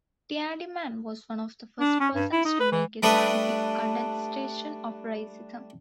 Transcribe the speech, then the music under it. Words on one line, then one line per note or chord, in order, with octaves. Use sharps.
Tiedemann was one of the first persons to make a scientific contestation of racism.
D4
C#4
G2
E4
D#4
B4
E3
G3 A3 D4 B4 D#6